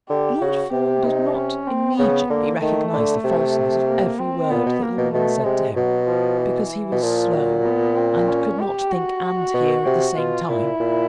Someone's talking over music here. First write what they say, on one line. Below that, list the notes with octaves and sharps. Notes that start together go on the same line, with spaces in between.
Lord Fawn did not immediately recognise the falseness of every word that the woman said to him, because he was slow and could not think and hear at the same time.
D3 G4
C#3 F#4
C3 G4
D#4
C#4
C4
C#3 B3
D3 A#3
D#3 A3
D3
C3
A#3
C4
A#2 B3
B2
A#3
B2
B2 A3
C3 G#3
B2 F#3
F3
E3
B2
A#2 F3
F#3
B3
C4
C#4
G4
F#4
B2
C3
B2 F4
A#2 E4
A#2